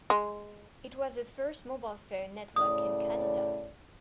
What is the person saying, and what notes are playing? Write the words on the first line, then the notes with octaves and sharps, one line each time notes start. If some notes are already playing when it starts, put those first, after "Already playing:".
It was the first mobile phone network in Canada.
G#3
A2 C#3 D5 D#6